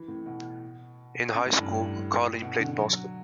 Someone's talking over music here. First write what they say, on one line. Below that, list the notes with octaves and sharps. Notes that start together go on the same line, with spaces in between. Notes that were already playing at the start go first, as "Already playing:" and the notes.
In high school, Carlene played basketball.
Already playing: E3
A2
B2
C#3
A2
G2
A2
B2
D3
F#3